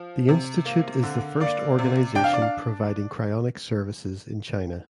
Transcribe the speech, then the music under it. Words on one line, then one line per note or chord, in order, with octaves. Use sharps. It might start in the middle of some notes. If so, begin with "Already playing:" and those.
The institute is the first organization providing cryonics services in China.
Already playing: F3
C3
A#3
D3
A#3 D5
C3
D4 G5
F5
D5
F5